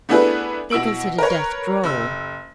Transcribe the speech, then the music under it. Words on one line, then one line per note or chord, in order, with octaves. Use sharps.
They considered death droll.
A3 B3 D4 E4 G#4 B4
B2 E4 E6 D7 F#7
A#4 B4 C#5
F#1 E6